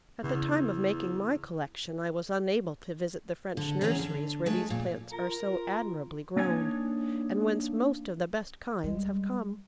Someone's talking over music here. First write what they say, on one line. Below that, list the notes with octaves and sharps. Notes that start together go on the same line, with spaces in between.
At the time of making my collection I was unable to visit the French nurseries where these plants are so admirably grown, and whence most of the best kinds have come.
E2 C#3
D3
E2 E3 G#3 B3 C#4 A#5
D3
G#3 A3 A4
A#2
F4 A#4 A#5
F4
A#3 D4 D#4 C#5 G#5
G3 G#3